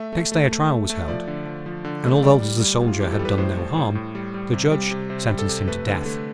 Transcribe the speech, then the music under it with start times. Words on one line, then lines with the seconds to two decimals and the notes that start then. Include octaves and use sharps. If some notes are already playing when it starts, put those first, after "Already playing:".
Next day a trial was held, and although the Soldier had done no harm, the Judge sentenced him to death.
Already playing: A3 E5
0.13 A3
0.32 A3
0.51 A3
0.70 A3
0.90 A3
1.08 F3 D5
1.28 D3
1.46 F3
1.66 F3
1.85 D3
2.05 A3
2.23 G3 D5
2.42 G3
2.61 G3
2.81 A2
2.87 F4
3.00 E3 G4
3.12 A4
3.19 G3
3.25 B4
3.38 A2 C5
3.57 A2
3.76 A2
3.95 A2
4.15 G3
4.34 G3
4.53 C3
4.71 G3
4.91 C3
5.10 C3 C5
5.29 G3
5.39 A4
5.49 C3
5.68 A3 B4
5.87 D3
6.06 A3